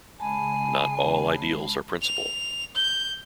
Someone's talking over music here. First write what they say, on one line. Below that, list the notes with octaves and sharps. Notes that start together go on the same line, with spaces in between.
Not all ideals are principal.
C#3 G#3 G#5 A5 B5 C7
F7
G6